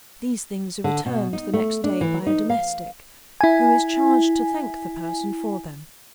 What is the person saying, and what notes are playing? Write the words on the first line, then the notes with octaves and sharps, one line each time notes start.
These things are returned the next day by a domestic, who is charged to thank the person for them.
D3
B2
D#4
A3
D4
E3
D#4
F5
E4 G#5